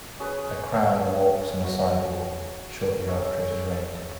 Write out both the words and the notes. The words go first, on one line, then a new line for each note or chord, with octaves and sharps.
A crowd walks on a sidewalk shortly after it has rained.
C#4 G#4 B4
C#4 F#4 B4 E5
D#4 G#4 C#5 E5